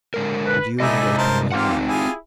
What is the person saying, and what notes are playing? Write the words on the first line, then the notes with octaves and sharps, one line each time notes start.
But you have opened my eyes.
D3 G#3 A#4
B4
C3 G#3 D#4 E4 A4 D5 D#5 G#5
A#4 C5 A5
E3 A#3 C4 D#4 F4 G4 F#5
E4 F4 G4 G#4 G#5